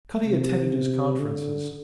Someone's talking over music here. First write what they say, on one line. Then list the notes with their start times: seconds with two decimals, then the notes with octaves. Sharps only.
Cutty attended his conferences.
0.24 C3
1.20 D3